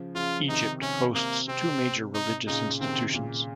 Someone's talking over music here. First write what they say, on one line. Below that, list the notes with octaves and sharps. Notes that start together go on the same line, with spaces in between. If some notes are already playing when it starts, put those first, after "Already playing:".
Egypt hosts two major religious institutions.
Already playing: C#3 F3
C#3 F3 F4
C3 D#3 D#4
C3 C#4
C3 A#3
C3 C4
D#4
A#2 C#3 D#4
C3 D#3 C4
A#2 C#3